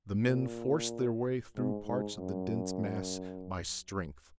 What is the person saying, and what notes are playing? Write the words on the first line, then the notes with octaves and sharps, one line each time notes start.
The men forced their way through parts of the dense mass by strength.
A#2
G#2
G#2
F#2